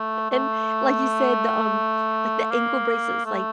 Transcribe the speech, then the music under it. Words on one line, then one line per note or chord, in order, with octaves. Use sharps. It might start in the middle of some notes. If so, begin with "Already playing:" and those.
And, like you said, the, um like, the ankle bracelets, like
Already playing: A3
A3
A#3
A3